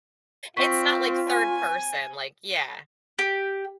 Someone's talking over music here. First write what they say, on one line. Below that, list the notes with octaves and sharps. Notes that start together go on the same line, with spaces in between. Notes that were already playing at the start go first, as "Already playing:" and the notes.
It's not like third person, like, yeah,
C4 F4 C#6 B6
G#5
G4